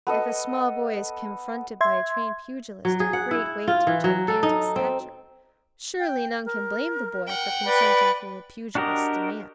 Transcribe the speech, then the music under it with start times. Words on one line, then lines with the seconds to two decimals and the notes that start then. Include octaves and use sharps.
If a small boy is confronted by a trained pugilist of great weight and gigantic stature, surely none can blame the boy for consenting to the pugilist's demands.
0.07 B3 A4 D#5
1.81 E5 C6 G#6
2.85 F#3
3.00 G#4
3.13 F#5
3.31 E4
3.68 F4
3.87 E3
4.04 F#3
4.28 A4
4.43 D#4
4.76 C4
5.99 G5
6.45 A#4
7.26 F#5 G5
7.65 B4 D5
8.75 D4 F#4 G4 A#4 D#5